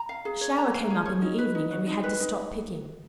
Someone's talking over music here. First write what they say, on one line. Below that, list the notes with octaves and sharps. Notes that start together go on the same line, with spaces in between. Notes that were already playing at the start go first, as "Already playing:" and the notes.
A shower came up in the evening and we had to stop picking.
Already playing: A#5
F5
G#4
C#5
A#5
F5
G#4
C#5
D#4
B4
D#4
F#4
D#4
B4
D#4